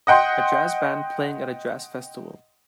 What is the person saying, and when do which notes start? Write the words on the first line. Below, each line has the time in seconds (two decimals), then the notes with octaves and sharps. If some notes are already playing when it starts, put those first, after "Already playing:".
A jazz band playing at a jazz festival.
0.07 D#5 F#5 G5 C6